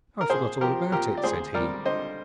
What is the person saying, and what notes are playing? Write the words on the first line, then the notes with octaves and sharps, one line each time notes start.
'I forgot all about it,' said he.
A#4
A#1 G#4 C5
F3 G4 A#4
A#2 G4 A#4
D5
D2 G#4 C5
G3 A#4 D5
D3 C5 D#5